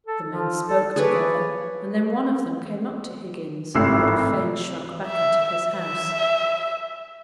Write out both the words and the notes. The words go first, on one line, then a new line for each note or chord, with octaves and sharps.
The men spoke together, and then one of them came up to Higgins, who would have fain shrunk back into his house.
A4
F3
A4
G#4 B4 C#5 D5
G#1 A2 C3 E6 C7
E5
E5